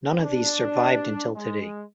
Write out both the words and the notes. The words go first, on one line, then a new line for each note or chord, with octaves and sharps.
None of these survived until today.
D4
G#3